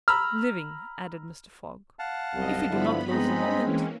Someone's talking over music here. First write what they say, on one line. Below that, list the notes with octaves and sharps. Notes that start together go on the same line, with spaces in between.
"Living," added Mr. Fogg, "if we do not lose a moment."
A#5 B5 E6 F6
F5 F#5 A5
C2 F#2 D#5
G2 D3 F3 B3 E4 B5
G#3 C4 D#4 D#5
E3 A#3 C#4